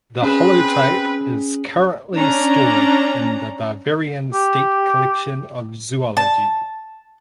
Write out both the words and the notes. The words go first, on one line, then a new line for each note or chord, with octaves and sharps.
The holotype is currently stored in the Bavarian State Collection of Zoology.
C4 C#4 G#4 B4
C#4 D4 A#5
G4
A5